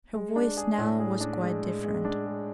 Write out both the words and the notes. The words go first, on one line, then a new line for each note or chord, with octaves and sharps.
Her voice now was quite different.
G#3
D4
G#4
A2
G#4
D4
G#3
G#3
G#3
D4
G#3